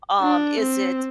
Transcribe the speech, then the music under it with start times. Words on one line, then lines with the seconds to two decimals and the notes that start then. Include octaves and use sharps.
Um, is it
0.21 D4
0.60 C4